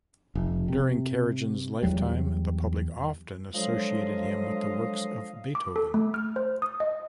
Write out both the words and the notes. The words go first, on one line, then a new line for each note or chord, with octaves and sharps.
During Karajan's lifetime, the public often associated him with the works of Beethoven.
F1
C3
E2 F#3 G3
D3 F3 F#3 G#3 D#5 F5
D6
A4
A3
F6
C5
D#6
D#5